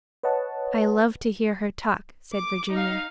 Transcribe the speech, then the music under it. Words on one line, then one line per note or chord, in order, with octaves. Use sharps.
"I love to hear her talk," said Virginia.
B4 C#5 D#5 F#5 A5
D6
D#4 F5